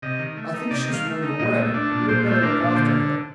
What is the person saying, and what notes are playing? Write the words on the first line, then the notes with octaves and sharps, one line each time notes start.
'I think she swooned away; you had better look after her.'
C3 D#5
D#3
A3
D#4
C3 D5
D#5
D#3
F5
A3
D#4
A#2 D#5
A3
D4
A#2
A#2 C5
A3
C5
D4 A#4
A#2
D3 C5